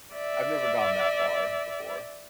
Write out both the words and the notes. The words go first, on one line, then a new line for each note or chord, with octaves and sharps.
I've never gone that far before.
D5 E5